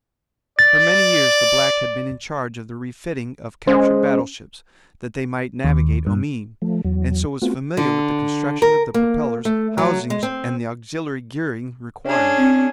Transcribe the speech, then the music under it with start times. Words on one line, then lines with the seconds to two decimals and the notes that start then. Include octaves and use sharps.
For many years the black had been in charge of the refitting of captured battleships that they might navigate Omean, and so was familiar with the construction of the propellers, housings, and the auxiliary gearing required.
0.59 D5 A6
3.67 G#3 C#4 C5
5.64 D#2
6.07 G2
6.62 F3 A3
6.84 E2 F#3
7.42 A3 B3 C4 F4 F#4
7.77 D3
8.62 A#4
8.94 A#3
9.45 A3
9.78 F#3
10.10 G#3
10.23 C4
12.06 C#4 D4 G#4
12.38 C4